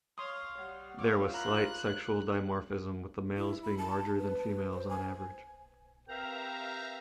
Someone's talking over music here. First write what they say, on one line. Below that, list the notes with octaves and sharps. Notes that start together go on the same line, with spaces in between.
There was slight sexual dimorphism with the males being larger than females on average.
C#5 F5 C6 D#6
G3 F#5
E4 F4 C#5 D6
A#4 A#5 B5 F#6
E4
B5
A5
B4
C5
G#5
C4 G4 A#4 B4 E5 F5 G5 A#5